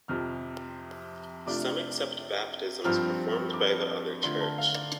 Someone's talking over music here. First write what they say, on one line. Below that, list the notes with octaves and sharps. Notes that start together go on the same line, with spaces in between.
Some accept baptisms performed by the other church.
F2 C3 F3 F6
C3 A3 D4 F4 D6
G2 F3 C4 F4 F6
D6
D3 A3 D4 F4 C6
A5
F5
D5